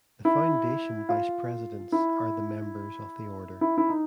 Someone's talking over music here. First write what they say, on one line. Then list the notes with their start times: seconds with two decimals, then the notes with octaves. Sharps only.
The foundation vice presidents are the members of the order.
0.25 E4
1.09 F4
1.92 E4
3.61 E4
3.78 E4
3.89 D#4